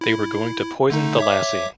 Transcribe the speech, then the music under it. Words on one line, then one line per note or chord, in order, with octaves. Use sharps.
They were going to poison the lassie.
E4
D3 A3 D#4
C#5 E5 D6